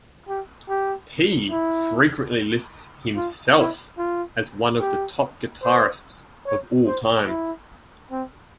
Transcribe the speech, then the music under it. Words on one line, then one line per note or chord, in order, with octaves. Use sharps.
He frequently lists himself as one of the Top Guitarists of All Time.
G4
G4
E4
F4
E4
F4
G4
C5
C#5
C5
E4
C4